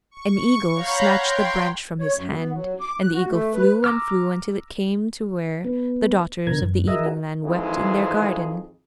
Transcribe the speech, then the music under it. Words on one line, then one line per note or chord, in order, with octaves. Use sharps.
An eagle snatched the branch from his hand, and the eagle flew and flew until it came to where the Daughters of the Evening Land wept in their garden.
C#6
C#5 F5 F#5 A#5 B5 G6
G5 C6
C#5
F#2
B3
F#3
D6
F#6
F#4
A3
B4
A#5 D6 E6 F6
B3
B2 D3 A#4 G#6
F#2
F#4 G#4 A#4 D#5 E5
G#1 F2 E3 G#3 G#4